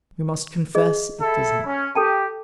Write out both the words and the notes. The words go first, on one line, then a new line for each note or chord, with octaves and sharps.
We must confess it does not.
G#4 D#5
E4 A4
C#4
G4 A4 G5 A5